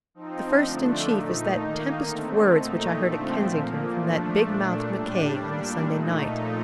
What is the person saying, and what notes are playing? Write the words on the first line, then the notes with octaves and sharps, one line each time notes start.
The first--and chief--is that tempest of words which I heard at Kensington from that big-mouthed Mackay on the Sunday night.
F3 C4 D#4
D3 F3 A3 D4
A#2 A3 D#4
D#3 A#3 D#4
D3 A3 C4
A#2 A3 D#4
D3 F3 A3 C4
A#2 F3 A#3
F3 A3 D4
A#2 A3 D4
A2 G3 D4
A#2 G3 D4
A#2 A3 D#4
A#2 F3 A3 D#4